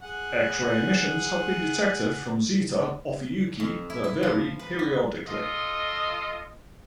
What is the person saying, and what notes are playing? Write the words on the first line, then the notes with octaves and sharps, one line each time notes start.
X-ray emissions have been detected from Zeta Ophiuchi that vary periodically.
G#4 F#5
F2
E4
E4
F3
B4
B3
F4 A4 D#5 C6 D#6